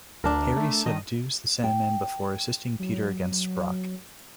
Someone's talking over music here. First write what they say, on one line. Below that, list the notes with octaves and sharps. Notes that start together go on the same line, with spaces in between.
Harry subdues the Sandman before assisting Peter against Brock.
D2 D4 A#4
A3
D#3 D#5
G5
F#3